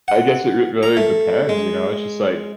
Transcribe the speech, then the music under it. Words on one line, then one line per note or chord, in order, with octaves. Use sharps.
I guess it r really depends, you know? It's just like,
F#5
A#5
A3
G#3